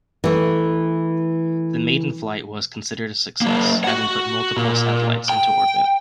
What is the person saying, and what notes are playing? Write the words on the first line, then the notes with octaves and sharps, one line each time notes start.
The maiden flight was considered a success, having put multiple satellites into orbit.
E3 A3
F#3 A#3
F#4 F#5
A#2
G5